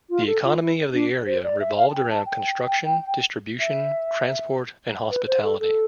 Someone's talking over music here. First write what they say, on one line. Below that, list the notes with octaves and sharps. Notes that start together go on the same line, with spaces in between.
The economy of the area revolved around construction, distribution, transport and hospitality.
F4
A4
F4
E4
D4
C5
D5
E5
F5
A5
G5
A5
G5
E5
B4
C5
A4
A4